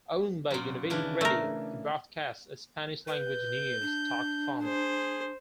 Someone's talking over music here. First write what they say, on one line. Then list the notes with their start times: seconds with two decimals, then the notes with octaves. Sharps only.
Owned by Univision Radio, it broadcasts a Spanish-language news talk format.
0.51 F#2 A#2
0.90 C#3 E3 D4
1.21 A3 A#4
3.08 B4 G6
3.81 D4
4.63 G#4 C5